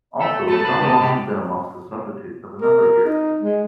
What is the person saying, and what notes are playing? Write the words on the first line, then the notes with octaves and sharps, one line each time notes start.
Also, John Welsh has been amongst the substitutes for a number of European games.
A4 E5
A3 A4 B4 A5
B4 C5 B5
C#2 A#3 D#5
C3 G#3 G4
A#4
D#4
G#3